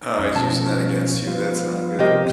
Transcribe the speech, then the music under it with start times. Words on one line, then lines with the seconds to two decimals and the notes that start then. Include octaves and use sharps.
Oh, he's using that against you. That's not good.
0.19 F#2 C#4
0.35 B2 F3 C#4 A5
1.27 F3 B3 F4
1.99 C3 F3 C4 G4 A#4 D#5